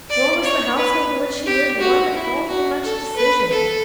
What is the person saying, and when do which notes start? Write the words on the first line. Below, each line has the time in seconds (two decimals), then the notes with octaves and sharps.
Nor was the household in which she lived one that called for much decision.
0.10 D5
0.44 C#5
0.77 B4
1.46 G4
1.80 F#4
2.14 E4
2.48 F#4
2.83 A4
3.16 B4
3.51 A4